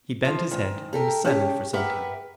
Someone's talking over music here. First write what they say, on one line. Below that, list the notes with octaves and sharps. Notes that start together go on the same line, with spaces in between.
He bent his head and was silent for some time.
F3
G#2 D#3
G4 A4 A#4
C#4 G4
G4 A#4 B4 E5 F#5